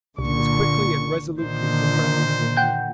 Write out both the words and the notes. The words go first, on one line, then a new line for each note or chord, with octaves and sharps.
But he was quickly and resolutely suppressed.
C2 A#2 D3 C#6
A#2 D3 D#3 C5
F#5 G5 G6